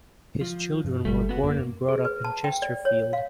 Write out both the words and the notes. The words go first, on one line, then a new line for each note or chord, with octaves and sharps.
His children were born and brought up in Chesterfield.
F3
G2
G1 G3 A3
B3 F#4
F#2 A#3
G#4
B4
A5
G5
D5
C#5
F5